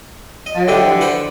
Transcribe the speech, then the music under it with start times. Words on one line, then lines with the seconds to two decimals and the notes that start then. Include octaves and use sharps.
Very cool.
0.46 D#5
0.68 A2 D3 G4 D#5
1.01 B4 C5 F#5